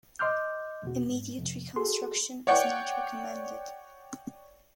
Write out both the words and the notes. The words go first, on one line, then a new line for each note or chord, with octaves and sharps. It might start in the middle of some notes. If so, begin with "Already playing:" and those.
Immediate reconstruction is not recommended.
D#5 C6 D6 F6 G6
E2 B2 F#4
G#2
F2 C3
F#4 G#4 A4 C6
C#5 D5 F#5 G5 C#6